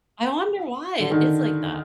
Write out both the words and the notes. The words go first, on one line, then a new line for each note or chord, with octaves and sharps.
I wonder why it is like that.
D3
D#3